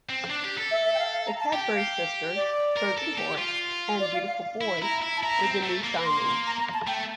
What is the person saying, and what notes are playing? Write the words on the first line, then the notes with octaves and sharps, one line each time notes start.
The Cadbury Sisters, Trojanhorse, and Beautiful Boy were the new signings.
C4
D4
G4
A4
E5
E5
G5
F5
F5
A#5
A5
G4 G5
F5
D5
A#4
A4
G4
F4
D5
F5
F5
E4
E4 A#5
E4
A5
E4 A#5
C4
A3
A#3
C6
A#5
A#5
A5
A3 G5